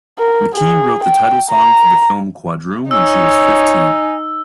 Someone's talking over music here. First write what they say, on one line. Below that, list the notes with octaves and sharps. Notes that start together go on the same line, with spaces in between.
McKee wrote the title song for the film "Quadroon" when she was fifteen.
A#4
G#4
G5
A#5
D#4 C#5 G#5 E6